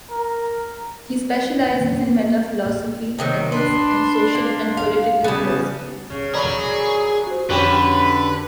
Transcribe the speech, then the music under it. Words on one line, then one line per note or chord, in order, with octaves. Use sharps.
He specializes in metaphilosophy, ethics, and social and political philosophy.
A#4
A#3
C3 D#3 F#3
D4 B4 C6
A#3
F5
C#3 G3 B3 A5
C#3
A#2 F#3 A3 G#4 D5 A#5 B5
F#4 C5
F2 D3 C#4 F#4 G4 B4